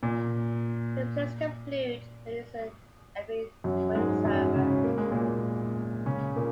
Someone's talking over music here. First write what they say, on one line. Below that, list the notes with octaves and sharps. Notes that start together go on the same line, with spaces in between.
He plays the flute and is an avid windsurfer.
A#2
F#2 F#3
G#2 G#3
F#2 F#3
C#3 C#4
C#4
A#3
G#3
A#2 A#3
C#3 C#4
A#2 A#3